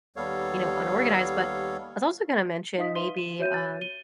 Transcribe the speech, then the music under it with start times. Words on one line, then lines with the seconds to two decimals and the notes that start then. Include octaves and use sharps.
you know, unorganized, but I was also gonna mention maybe, um,
0.16 D#2 G3 B3 A4 C#5 F5
2.78 D#4 D#5 F5 D#6 B6
2.95 B4 E5 C6 D#7 G7
3.17 D#7 E7
3.39 F#4 C#5 E5 G6 D#7
3.54 C#5 A6
3.81 D#7 G7